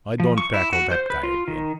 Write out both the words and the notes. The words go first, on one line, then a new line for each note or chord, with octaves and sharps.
"I don't tackle that guy again."
F3
C#6
E4
F#4
C5
B4
F4
D#3